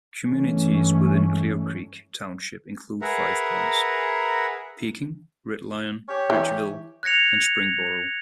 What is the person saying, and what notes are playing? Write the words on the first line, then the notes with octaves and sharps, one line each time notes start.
Communities within Clearcreek Township include Five Points, Pekin, Red Lion, Ridgeville, and Springboro.
G2 E3 G#3 A3 C#4
G#4 A#4 B4 E5 F#5 A#5
G4 C#5
E3
F#6 G#6 A#6 C#7 F7